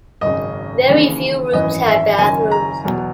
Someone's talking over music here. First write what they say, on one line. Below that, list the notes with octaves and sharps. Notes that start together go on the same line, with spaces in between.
Very few rooms had bathrooms.
G#1 F#2 C#3 D#5
D#2 C#3 E3
G#1 F#2 E3 D#5
E5
F#1 F#2 D#3 G#5
A#5
E2 B2 F#3